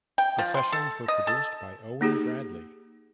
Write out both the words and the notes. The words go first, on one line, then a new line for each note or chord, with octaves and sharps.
The sessions were produced by Owen Bradley.
G5
F3
C6
A4
D#5
A4
A#3 D#4 G4 G#4